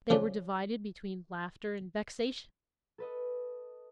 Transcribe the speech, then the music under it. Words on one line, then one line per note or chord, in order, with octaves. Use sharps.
They were divided between laughter and vexation.
C#3 F3 D4
A4 B4 D#5